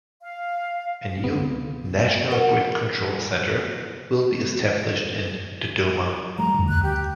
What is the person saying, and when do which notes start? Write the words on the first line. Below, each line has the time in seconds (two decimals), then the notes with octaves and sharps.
A new "National Grid Control Center" will be established in Dodoma.
0.20 F5
1.24 C#2 C3 B3
2.31 A#4 F#5
6.38 F3 G3 A3 A#5
6.54 F2 D3
6.69 D2 F#6
6.83 G4